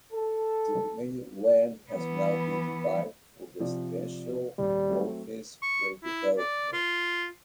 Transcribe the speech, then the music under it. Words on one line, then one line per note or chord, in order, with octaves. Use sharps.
The remaining land has now been divided up for residential and office re-development.
A4
E3 B3
C3 F3 D5
D#1 G3
F#3 A3 C4
C#6
E4
D5
F4